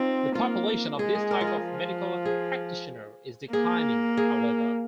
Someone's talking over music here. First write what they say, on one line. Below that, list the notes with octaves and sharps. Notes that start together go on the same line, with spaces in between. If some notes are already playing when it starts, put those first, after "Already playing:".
The population of this type of medical practitioner is declining, however.
Already playing: C4 D#4 F4
A#3 F4
G#3 G#4
G#4
A#4
F4
G#4
F3
G#4
A#3 G#4
G#4